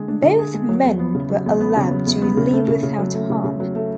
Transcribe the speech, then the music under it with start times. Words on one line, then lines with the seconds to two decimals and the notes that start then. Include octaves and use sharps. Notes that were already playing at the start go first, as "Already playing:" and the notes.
Both men were allowed to leave without harm.
Already playing: D3 G#3 G#4
0.08 D4
0.23 D3
0.39 G#4
0.54 G#3
0.69 F#3
0.84 E2
0.99 B3
1.15 C#3
1.30 F#3
1.46 E2
1.60 B3
1.77 C#3
1.91 F#3
2.07 E2
2.22 B3
2.37 C#3
2.53 A3
2.68 C#3
2.83 C#3
2.98 F#3
3.14 A3
3.30 C#3
3.44 C#3
3.60 F#3
3.75 A3